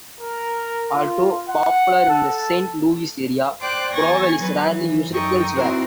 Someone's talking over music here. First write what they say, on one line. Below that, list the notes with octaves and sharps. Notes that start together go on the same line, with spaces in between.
Although popular in the Saint Louis area, Provel is rarely used elsewhere.
A#4
F4
F#5
A4
C5 D5 G5 D6 F#6
E2 G#5 C#6 A6 A#6
F#3 B4
E3
F#2 D#4 A4 G5 C#6 D#6
C4 D#4 E4 F#4 A#4